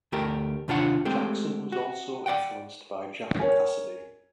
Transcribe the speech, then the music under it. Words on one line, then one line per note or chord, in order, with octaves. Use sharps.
Jackson was also influenced by Jack Casady.
D2 A3 G4 A#4
D#2 C3 D4 F4 C#5 F#5
G#3 A3 C4 G4
F#4
D5 D#5 F#5 G5
A#4 C#5 G#5